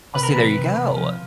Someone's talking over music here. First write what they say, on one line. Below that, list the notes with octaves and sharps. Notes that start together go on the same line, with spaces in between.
Oh see, there you go.
C3 B4
A#4
E3 B4
C3
C3
F3